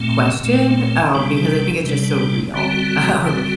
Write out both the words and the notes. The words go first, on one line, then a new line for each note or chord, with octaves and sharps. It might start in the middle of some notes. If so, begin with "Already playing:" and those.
question, um, because I think it's just so real. Um,
Already playing: A#2 A3 C4
A#2 A3 C4
C3 G3 D4
C3 G3 D4
D3 G3 C4 F#4
D3 G3 C4 F#4